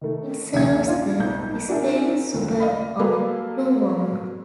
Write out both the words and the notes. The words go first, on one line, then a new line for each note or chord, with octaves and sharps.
It serves the Brisbane suburb of Toowong.
D#3 A3
A#1 D#2 A#2 C#3 E5 G#6
F4 D5
B1 G6
B1
D4 F#4 G#4 A#4 E5
F#1 D#2 A#2
D5 D#5 F5 B5
F#3 A#3 G#4 A4 B4 F5